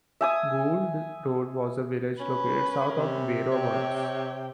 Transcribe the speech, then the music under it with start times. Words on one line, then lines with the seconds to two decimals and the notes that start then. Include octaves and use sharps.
Goulds Road was a village located south of Bay Roberts.
0.21 E5 G#5 D#6
2.20 C#4 B4
2.94 C3
3.52 C#5 G5